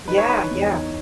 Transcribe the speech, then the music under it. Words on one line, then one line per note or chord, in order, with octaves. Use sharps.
Yeah. Yeah.
D#4 B4
C#5
D#4 B4
E2
D#4